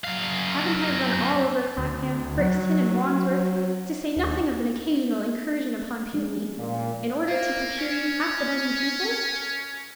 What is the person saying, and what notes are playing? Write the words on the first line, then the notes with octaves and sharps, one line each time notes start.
Haven't I run all over Clapham, Brixton, and Wandsworth--to say nothing of an occasional incursion upon Putney--in order to procure you half-a-dozen pupils?
F#2 F5
D2
F#3
D#2
F3 G#3 C#4
A#2
A#3 C5 F5
C#4